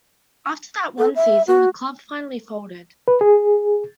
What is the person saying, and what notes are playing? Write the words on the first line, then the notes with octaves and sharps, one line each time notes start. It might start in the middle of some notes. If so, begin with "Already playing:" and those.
After that one season, the club finally folded.
A4
E5
F#4
B4
G#4